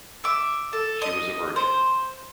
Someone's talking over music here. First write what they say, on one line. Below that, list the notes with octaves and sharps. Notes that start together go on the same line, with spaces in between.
She was a virgin.
E5 D6
A4
D#5
C5